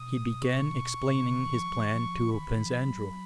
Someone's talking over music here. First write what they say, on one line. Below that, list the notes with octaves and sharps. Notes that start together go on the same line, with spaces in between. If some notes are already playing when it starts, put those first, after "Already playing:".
He began explaining his plan to Prince Andrew.
Already playing: B2 D#6
C#6
A#2
C#3
D#3
F3
F#3
F3
D#3
F3
D#3 B5
D#3
F3
F#3